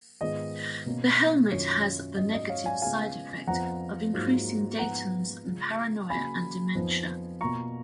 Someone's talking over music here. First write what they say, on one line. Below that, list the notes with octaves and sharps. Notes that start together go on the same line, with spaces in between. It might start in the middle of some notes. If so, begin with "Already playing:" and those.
The helmet has the negative side effect of increasing Dayton's paranoia and dementia.
G#2 D#3 G#3 B3 F4 D#5
B2 A#3 C#4
F#2 D#3 F#3 C#4 F4 C#5
G#2 F#3 C#4 D#5
D#5
C#5 F5
F5 G#5
C#3 G#3 B3 F4 F5 G#5
F2 F3 B3 F4 F#5 A#5
G#2 F#3 A#3 F4
G#2 F3 B3 F4 F#5 A#5
C#3 G#3 C#4 F4
C#3 F#3 A#3 G#5 B5
F2 F3 B3 D#4
B2 A#3 F4 A#5 C#6